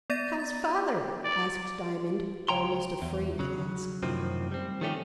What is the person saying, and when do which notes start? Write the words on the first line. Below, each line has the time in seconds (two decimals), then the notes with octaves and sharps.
"How's father?" asked Diamond, almost afraid to ask.
0.10 B3 D5 A6 A#6 D#7
0.40 A6
1.24 D5
2.49 C#2 C#5 G5 A#5 C6
3.02 E2
3.39 C#3 F#3
4.03 F#2 A2 C3 D#3 F3 C4
4.52 G3 C4
4.81 D#3 F3 G3 A3 C#4 G4